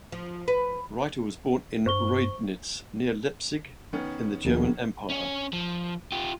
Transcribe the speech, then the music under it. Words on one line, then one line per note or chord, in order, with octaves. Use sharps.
Reiter was born in Reudnitz, near Leipzig in the German Empire.
F3
B4
G2 C5 C#6 G7
D#3 B3 C#4
A#1 D#2
C#4 C#5
F3
F4 G4